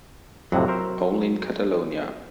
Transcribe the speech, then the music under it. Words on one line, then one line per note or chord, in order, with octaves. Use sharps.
Only in Catalonia.
F2 A2 C3 F#3
A#4 C5 E5